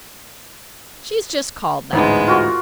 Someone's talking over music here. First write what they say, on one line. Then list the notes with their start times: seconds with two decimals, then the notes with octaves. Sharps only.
She's just called that.
1.93 A1 D2 G#2 G#3 B3
2.27 F4 F#4 A#4